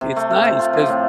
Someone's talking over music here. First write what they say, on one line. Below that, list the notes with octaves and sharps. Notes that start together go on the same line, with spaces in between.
it's nice 'cause
C3
A3
A3
C3
F4
F3
A2